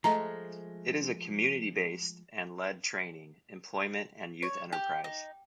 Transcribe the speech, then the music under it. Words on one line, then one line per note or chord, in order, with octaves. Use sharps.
It is a community-based and led training, employment and youth enterprise.
F3 G#3 A3 A#5
C#5
G4
D#4